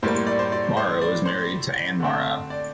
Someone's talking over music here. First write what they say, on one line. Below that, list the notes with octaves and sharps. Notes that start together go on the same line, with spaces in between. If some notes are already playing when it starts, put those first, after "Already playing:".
Mara was married to Ann Mara.
A2 G3 A#3 C5
C5
D5
C5
D5
C5
D5
C5
D3 A3 C4
D5